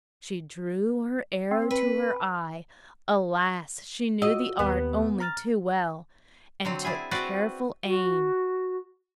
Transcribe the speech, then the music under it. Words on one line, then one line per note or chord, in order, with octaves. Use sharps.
She drew her arrow to her eye--alas, she knew the art only too well!--and took careful aim.
C4
B4
F4 F#4 D#5 E6
D#2 B3 G4 B4
A#5 F6 A6
D3 F#3 C4
D4 E4 G#4
C4 F#4 B4 C5 D5
F#4